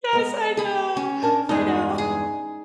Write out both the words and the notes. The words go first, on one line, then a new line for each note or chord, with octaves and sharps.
Yes, I know, I know.
G#3 B3
G#4 B5
C#4
D4 A#4 A5
E2 G2 G#3 D#4
G#4